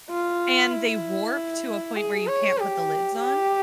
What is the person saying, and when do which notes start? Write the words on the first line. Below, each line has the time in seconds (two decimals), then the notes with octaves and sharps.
and, they warp to a point where you can't put the lids on.
0.10 F4
0.72 E4
1.96 G#4
2.27 C#5
2.58 G4
3.20 G4